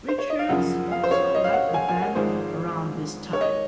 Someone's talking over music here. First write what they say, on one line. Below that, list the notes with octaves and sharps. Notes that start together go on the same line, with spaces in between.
Richards also left the band around this time.
C5
C#5
D#5
F5
F#2 C#3 F3 F#5
F5
C5
C#5
D#5
F5
F#5
G#5
G#5
F#5
G#1 G#2 F3 G#3 C5
C#5
D#5